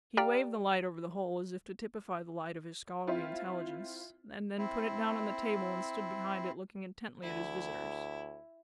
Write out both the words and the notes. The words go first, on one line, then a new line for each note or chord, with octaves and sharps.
He waved the light over the whole, as if to typify the light of his scholarly intelligence, and then put it down on the table and stood behind it looking intently at his visitors.
G4 D5 F5 G5 A#5 F6
C4 E4 F4
C4 E4
D2 E4